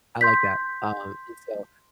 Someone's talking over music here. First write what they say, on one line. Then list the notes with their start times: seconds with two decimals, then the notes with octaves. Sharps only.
I like that, um, and, so,
0.21 C6 G6 B6